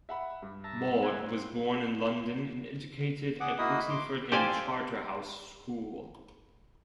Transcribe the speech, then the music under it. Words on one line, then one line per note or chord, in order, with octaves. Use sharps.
Maude was born in London and educated at Wixenford and Charterhouse School.
E5 F#5 B5
G2
E5 A5 A#5
E5 F#5 G#5
C4
G#4 F#5 D6
A#3 E4 F#4 D#5 B5 D#6
C6 D6
G4 A4 C5 D5 F5 G#5